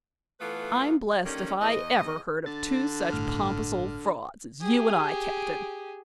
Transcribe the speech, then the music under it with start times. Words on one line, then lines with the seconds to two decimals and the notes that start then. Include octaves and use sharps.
I'm blessed if I ever heard of two such pompous old frauds as you and I, Captain!
0.40 E3 A3 B3 F4 A4 B4
1.25 D3 D#3 G3 A#3 C#4
1.60 E2 D#5
2.46 D3 A6
3.12 G1 A2 F6
4.62 G4 G#4